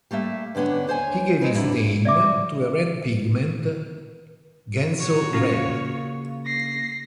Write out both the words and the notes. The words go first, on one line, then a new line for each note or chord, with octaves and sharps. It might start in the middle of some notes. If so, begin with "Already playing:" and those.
He gave his name to a red pigment "Genso red".
G3 A3 A#3 E5
G2 D3 B3 C#4 D4
D#2 C5 C#5 G#5
G#3 C4 D#4 A#4 B4
E2 D3 E3 G3 E4
D5 E5 D6
F#4 C#5
C#3 A#3 F4
A#6 C7